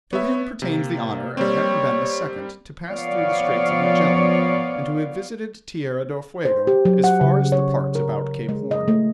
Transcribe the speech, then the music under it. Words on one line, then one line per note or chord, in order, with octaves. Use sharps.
To him pertains the honour of having been the second to pass through the Strait of Magellan, and to have visited Tierra del Fuego as far as the parts about Cape Horn.
B3 C#5 E5
C3 A#3
G3 A#3 C4 C#5
F3 B3 C#5 D5 F5
C5
G4
F#3
F#5
C#3
C#5
A#4
G#3
D#5
A3